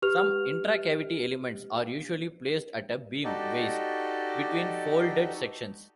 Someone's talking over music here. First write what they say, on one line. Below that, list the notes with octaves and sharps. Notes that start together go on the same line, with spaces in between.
Some intracavity elements are usually placed at a beam waist between folded sections.
G4 B4 F6 F7
D#4 F#4 G4 A4 D5 D#5